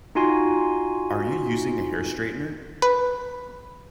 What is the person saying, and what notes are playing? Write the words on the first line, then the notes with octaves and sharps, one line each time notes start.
Are you using a hair straightener?
D#4 F4 F#4 G#5 C6
B4